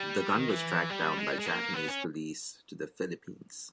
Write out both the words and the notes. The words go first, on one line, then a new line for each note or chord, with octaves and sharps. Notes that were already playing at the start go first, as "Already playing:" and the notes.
The gun was tracked down by Japanese police to the Philippines.
Already playing: G3
D#3
E3
G3
G#3
G3
G#3
A#3
B3
C#4